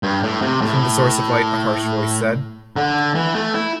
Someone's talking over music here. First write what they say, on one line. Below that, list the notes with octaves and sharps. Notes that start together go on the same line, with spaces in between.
From the source of light a harsh voice said.
G2
A2
C3
A2
D3
E3
A3
E4